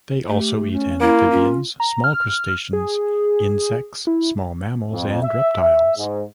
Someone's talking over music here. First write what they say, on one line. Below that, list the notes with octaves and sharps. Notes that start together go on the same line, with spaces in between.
They also eat amphibians, small crustaceans, insects, small mammals and reptiles.
A3 G4
C#4
A#3 E4
C#4 F4
A#5
F6
G#4
E4
F2
E5
E5
G#2